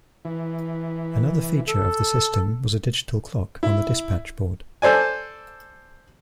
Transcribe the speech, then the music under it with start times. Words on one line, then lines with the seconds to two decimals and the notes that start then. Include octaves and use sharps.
Another feature of the system was a digital clock on the dispatch board.
0.25 E3
1.68 A4
3.63 E4
4.82 A4 C5 D5 G#5